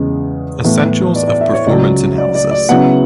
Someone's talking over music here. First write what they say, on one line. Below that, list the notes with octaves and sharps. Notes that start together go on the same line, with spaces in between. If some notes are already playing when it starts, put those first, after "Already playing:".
Essentials of Performance Analysis.
Already playing: E2 C#3 G#3
A2 E3 B3
D5
D5
E5
C#5
C#2 C#3 F#3 D5
D5
D5
D5
C#3 F#3 B3 E4 F#5